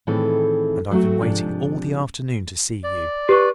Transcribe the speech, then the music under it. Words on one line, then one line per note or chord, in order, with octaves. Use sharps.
And I've been waiting all the afternoon to see you.
A2 D#3 E3 C4 G#4 A4
F#3 A3 C4 F#4
G#2 C3 F3 D4
D5
G4 B4 C#6